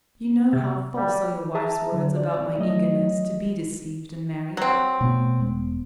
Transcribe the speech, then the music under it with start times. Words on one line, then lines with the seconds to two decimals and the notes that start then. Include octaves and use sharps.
You know how false are your wife's words about my eagerness to be deceived and married.
0.53 C3
0.95 G3
1.54 G#4 E5 A5 A#5
1.92 D3 F#3
2.16 D5
2.59 F#3 A3 D#5
4.57 F#3 C4
5.01 B2 A3 B3
5.40 E1 G#3 B3